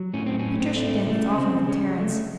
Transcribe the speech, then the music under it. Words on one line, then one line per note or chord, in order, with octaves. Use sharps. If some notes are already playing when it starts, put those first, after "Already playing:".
Patricia danced often with Terence.
Already playing: F#3
A2 C#4
C4
C#4
A2
C4
A3
C#3 A3
C#4
C#3 C4
G#3 C#4
G#3 A3